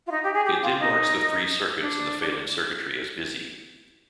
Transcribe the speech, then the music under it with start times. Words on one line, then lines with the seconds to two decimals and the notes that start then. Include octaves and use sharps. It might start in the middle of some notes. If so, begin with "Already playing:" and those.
It then marks the free circuits in the failing circuitry as busy.
0.06 F4
0.11 D#4
0.23 G4
0.33 G#4
0.45 G4
0.62 F4
0.79 D#4
1.80 D4